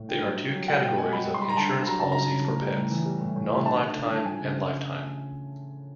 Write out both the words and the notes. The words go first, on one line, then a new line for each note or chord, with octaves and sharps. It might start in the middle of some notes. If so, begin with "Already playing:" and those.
There are two categories of insurance policies for pets: non-lifetime and lifetime.
Already playing: A2
D3 G5
F#3
F#3
F#3
G#3 F#5
B2 G5
G#3 G#5
G#3 B5
G3
C6
G3 B5
A#5
D3 A5
D3
F#3 A#5
C#3 A5
C#3 A#5
C#3
A2
G3
A2
E3
G3
A2
A2
A2
D3 A5
D3
D3
D3
F3 G#5
C#3